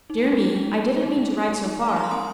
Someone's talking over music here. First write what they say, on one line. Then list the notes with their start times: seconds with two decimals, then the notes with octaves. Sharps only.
Dear me, I didn't mean to ride so far.
0.10 D#4
0.25 G#3
0.40 D#4
0.56 G#3
0.71 D#4
0.87 G#3
1.02 D#4
1.18 G#3
1.33 D#4
1.48 G#3
1.65 D#4
1.80 G#3 F5
1.89 G#5
1.96 D#4 A#5
2.04 C6
2.11 C4 D#6